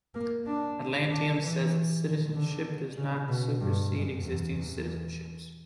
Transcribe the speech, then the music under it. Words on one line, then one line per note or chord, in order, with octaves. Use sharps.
Atlantium says its citizenship does not supersede existing citizenships.
A#3
D4
D4
E3
D3
C#3
B2
G2
F#2
E2
E2